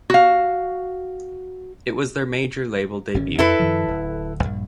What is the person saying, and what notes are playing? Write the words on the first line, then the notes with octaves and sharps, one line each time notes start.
It was their major label debut.
F#4 F5
G#1 D3 C#4
F2 E4 A4 B4
F#2 D#3 F3
D1
A#1 G2